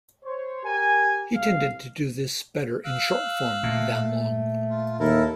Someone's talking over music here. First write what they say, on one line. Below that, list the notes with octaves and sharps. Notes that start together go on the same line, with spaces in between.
He tended to do this better in short form than long.
C5 C#5
G4 A#4 G#5
C2 A2 F5
F5 E6 F#6
A#2 A3
F4
D#2 E4 A4 A#4